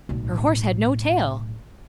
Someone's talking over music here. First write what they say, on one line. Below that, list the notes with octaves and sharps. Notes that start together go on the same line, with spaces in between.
Her horse had no tail!
B1 A2